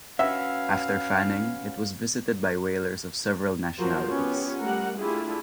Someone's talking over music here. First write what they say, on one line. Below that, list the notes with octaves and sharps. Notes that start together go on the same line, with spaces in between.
After Fanning, it was visited by whalers of several nationalities.
C#4 F#4 B4 E5 F5
F3 F#3 F4 F#4 A#4 C5
B3 C#4 F4 G4 C#5
G3 A3 A#4 F#5
A3 D4 E4 F4 G4 G#4